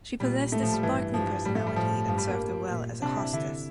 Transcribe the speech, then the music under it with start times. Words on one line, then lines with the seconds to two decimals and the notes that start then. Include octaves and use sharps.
She possessed a sparkling personality that served her well as a hostess.
0.20 A#2 G3
0.52 A2 A3
0.63 F3
0.73 G3
0.83 G2 E3
1.14 G2 F3
1.45 A2 G3
1.55 A3
1.67 G3
1.76 A2 F3
2.08 G2 F3
2.18 G3
2.28 A#3
2.71 A#2
3.02 C3 D4
3.17 E4
3.33 D3 E4